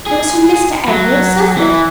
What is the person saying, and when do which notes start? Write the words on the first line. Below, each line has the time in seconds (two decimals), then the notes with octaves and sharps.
"It was from Mr. Everett Southard."
0.06 G#4
0.88 F#3
1.56 E3